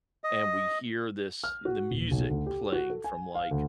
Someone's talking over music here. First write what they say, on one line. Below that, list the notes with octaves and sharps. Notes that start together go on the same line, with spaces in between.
and we hear this the music playing from, like,
D#5
F6
F#4
D#1
B1
D2
G4
F#4
A4
G#5
F5
D2